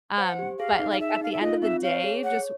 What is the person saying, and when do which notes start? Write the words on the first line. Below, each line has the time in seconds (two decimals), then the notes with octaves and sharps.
Um, but, like, at the end of the day, just,
0.18 C5 F#5
0.39 G4
0.59 G#4 F5
0.79 D#4
0.92 F5
1.00 G#4 E5
1.21 D#4 F5
1.33 E5
1.41 F4 D#5
1.62 C4 E5
1.83 C#5 F5
2.04 G#4
2.24 C#5 F#5